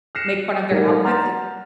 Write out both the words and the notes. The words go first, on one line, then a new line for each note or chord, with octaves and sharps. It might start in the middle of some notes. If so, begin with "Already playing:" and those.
make fun of their outfits, it's
F6 F#6 A#6 C7 C#7 E7
G3 A3 D#4 A#4 D5 F#5
F#5 A#5 C6 F6 G6 A6